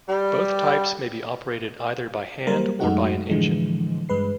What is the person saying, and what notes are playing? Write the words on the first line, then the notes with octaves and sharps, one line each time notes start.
Both types may be operated either by hand or by an engine.
G3
F#3 G3 A#3 A#4 C5
F#2 G#3 A3 D#4 F#4 F#5
A2 D3 E3 F3 G#3
G2 G#3 B4 C7